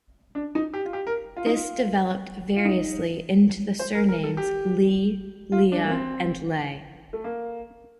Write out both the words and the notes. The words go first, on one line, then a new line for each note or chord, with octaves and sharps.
This developed variously into the surnames Lee, Lea, and Leigh.
D4
D#4
G4
F4
G4
A#4
F4
D#4
F4
F4
D#4
C5
A#4
A#4
A4
G4
F4
D4
A#3
C4
A3
A#3